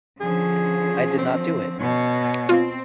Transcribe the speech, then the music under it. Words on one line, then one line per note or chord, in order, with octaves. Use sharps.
I did not do it.
D3 F3 C#4 G#4
C4
B2 C#5
C4 F4